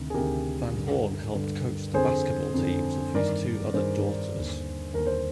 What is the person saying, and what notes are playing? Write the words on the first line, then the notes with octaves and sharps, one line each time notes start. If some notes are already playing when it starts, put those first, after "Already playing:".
Van Horn helped coach the basketball teams of his two other daughters.
Already playing: D2 C3 D#3
G#4
D2 C3 D#3 G4 A#4
G2 D3
G2 D3
F2 D3 G#4 C5
F2 D3
G2 D#3 A#4 D5
G2 D#3 G#4 C5
D#2 D3
D#2 D3 A#4
C5